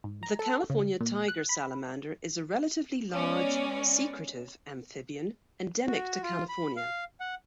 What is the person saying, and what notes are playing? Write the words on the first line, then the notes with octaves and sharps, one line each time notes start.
The California tiger salamander is a relatively large, secretive amphibian endemic to California.
G#2
A#5
A4
C#3
A#2
F#6
B5
G#3 B3 C#4 D5
F#4
F4
B5
F5
F#5